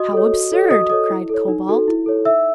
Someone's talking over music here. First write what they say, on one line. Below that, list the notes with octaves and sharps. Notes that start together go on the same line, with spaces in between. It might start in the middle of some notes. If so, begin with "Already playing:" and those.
"How absurd!" cried Cobalt.
Already playing: F#4 D#5 D#6
A4 C#5
F#4
A4 C#5
F#4 D#5 D#6
A4 C#5 D#5 D#6
E4
A4 C#5
D#4
F#4 A4
E4
A4 C#5
D#4 E5 E6